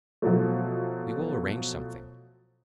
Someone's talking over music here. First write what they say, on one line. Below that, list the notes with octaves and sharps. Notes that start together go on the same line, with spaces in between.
We will arrange something.
B2 F3 F#3 A3